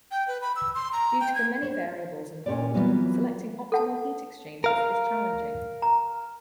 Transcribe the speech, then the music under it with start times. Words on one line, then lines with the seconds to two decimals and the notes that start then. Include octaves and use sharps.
Due to the many variables involved, selecting optimal heat exchangers is challenging.
0.11 G5
0.28 B4
0.42 B5
0.56 E6
0.75 C6
0.93 A#5
1.20 G5
1.35 G#6
1.63 C5 C#5
2.46 A#2 C#4 G4 C#5 D5
2.74 E3 F#3 G3 B3 C4 F4
3.72 A4 F#5 A5
4.64 A#4 F5
5.82 A#5